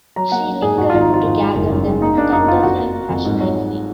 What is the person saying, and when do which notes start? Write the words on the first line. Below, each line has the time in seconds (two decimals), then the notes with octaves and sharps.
She lingered to gather them, tenderly, passionately.
0.16 F#3 A#5
0.32 A#3 F#5
0.47 F#3
0.62 G#2 G#4
0.78 G#2 F#4
0.90 G#1 F4
1.01 D#4
1.09 F3 F4
1.25 G#2
1.40 G#3
1.55 F#1
1.70 F#2
1.86 G#3
2.01 A#3 D#4
2.16 A#3 D4
2.32 F#2 D#4
2.48 F#2 F4
2.63 F2 F#4
2.79 A#3
2.95 A#3
3.09 F2
3.25 G#2
3.40 F#3
3.56 F#3